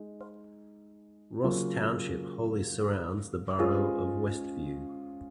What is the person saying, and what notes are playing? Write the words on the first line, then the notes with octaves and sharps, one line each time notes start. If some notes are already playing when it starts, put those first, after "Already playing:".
Ross Township wholly surrounds the borough of West View.
Already playing: G#3 D#4
C#3 F#3 A#3 F4
G#3 C#4 F4 G#4 C5